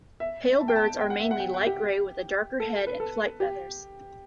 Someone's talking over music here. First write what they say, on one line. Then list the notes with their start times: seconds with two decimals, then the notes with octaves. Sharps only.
Pale birds are mainly light grey with a darker head and flight feathers.
0.20 E5
0.61 A5
0.68 G5
0.76 A5
1.01 G5
1.10 F#5
1.20 E5
1.31 F#5
1.40 G5
1.54 F#5
1.66 G4
2.60 A4
2.87 B4
3.00 A4
3.40 G4